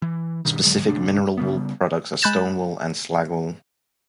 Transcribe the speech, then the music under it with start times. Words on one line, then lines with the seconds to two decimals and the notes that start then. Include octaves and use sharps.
Specific mineral wool products are "stone wool" and "slag wool".
0.02 E3
0.45 G2 B2 D#3
0.65 D1 D3 F#3 G#3
0.88 D2 C3 D4
1.38 C#3 G3 B3
2.22 G#3 B5 F#6 G6 A6 E7